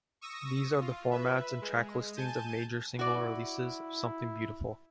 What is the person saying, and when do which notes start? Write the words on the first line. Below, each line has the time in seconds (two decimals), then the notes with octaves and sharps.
These are the formats and track listings of major single releases of "Something Beautiful".
0.21 C#6 D#6 E6 A#6
0.81 F4
1.11 B4 E5
1.62 G#3
2.16 G#5 A5 G6 D#7
2.99 E4 F#4 D5